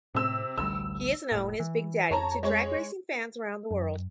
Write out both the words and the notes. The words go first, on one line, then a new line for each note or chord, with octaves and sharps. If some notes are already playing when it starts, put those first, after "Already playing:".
He is known as "Big Daddy" to drag racing fans around the world.
A2 C3 E6
A1 D2 G3 E6
F1 A2
E3
F2 C#5 A5 A#5
G#3 C#5
F#2